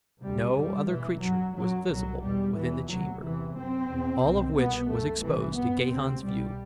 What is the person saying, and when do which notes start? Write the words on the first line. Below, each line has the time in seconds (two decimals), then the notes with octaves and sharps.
No other creature was visible within the chamber, all of which was exposed to Gahan's view.
0.22 D2 C3 G3
0.54 F#2 G3
0.88 E2 B2 E3
1.21 F#2 F#3
1.55 F#2 F#3
1.88 C2 B2 F#3
2.21 E2 B2 G3
2.55 E2 B2 E3
2.88 D2 C3 F#3
3.21 E2 C3 E3
3.55 F#2 C4
3.89 E2 B2
4.22 C2 B2
4.56 C2 B2 B3
4.89 F#2 A3
5.22 C2 C3 E3
5.56 F#2 B3
5.89 D2 C3 C4
6.23 C2 B2 G3